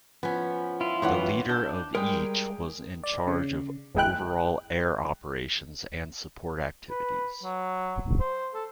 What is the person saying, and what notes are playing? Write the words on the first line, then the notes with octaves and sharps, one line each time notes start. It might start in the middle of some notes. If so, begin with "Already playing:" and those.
The leader of each was in charge of overall air operations and Support activities.
F3 B3 C#4
E4 F4
G2 E3 B3 C#5 F#5
D4 G6
G3 G#3 A#4 G5
D5
C#3
G1 E2 G#3 E4 G5 F#6
B4
F#3
C5
A4